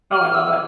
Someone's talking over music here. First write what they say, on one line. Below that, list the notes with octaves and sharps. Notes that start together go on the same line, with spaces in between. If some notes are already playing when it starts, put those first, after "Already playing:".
Oh, I love it.
F6
F6
E6